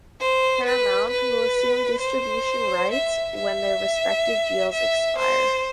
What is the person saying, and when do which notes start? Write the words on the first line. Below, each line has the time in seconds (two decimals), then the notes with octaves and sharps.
Paramount will assume distribution rights when their respective deals expire.
0.20 C5
0.66 B4
1.10 B4
2.00 C5
2.92 E5
3.37 E5
4.72 E5
5.18 C5